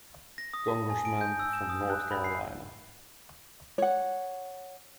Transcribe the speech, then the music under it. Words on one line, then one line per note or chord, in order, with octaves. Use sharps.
Congressman from North Carolina.
A#6
D#6
A5
G#5
D7
G6
E6
E7
D#6
F#6
B5
C7
C#5 F#5